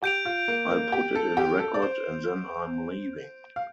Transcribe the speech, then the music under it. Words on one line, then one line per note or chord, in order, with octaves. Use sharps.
I'll put it in Record, and then I'm "leaving".
G4 G6 D7 F7
F4
A#3
A#3
G4
A4
G4
A4
D5
C5
F5